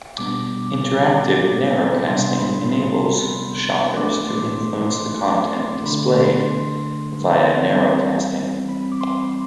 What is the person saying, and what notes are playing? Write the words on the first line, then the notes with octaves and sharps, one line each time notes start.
Interactive narrowcasting enables shoppers to influence the content displayed via narrowcasting.
B2 G3 B3 D4 D6
C3 G3 B3 D4 C6
B5
C6
E3 A3 D4 D6
C6
C6
D6
C6
D3 A3 D4 B5
C6
C6
E3 G3 C4
B5
D6
C6